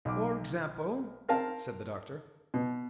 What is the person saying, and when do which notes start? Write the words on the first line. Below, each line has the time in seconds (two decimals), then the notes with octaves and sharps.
"For example?" said the Doctor.
0.05 B1 D6
1.29 C4 A#4 F5 A5
2.54 B2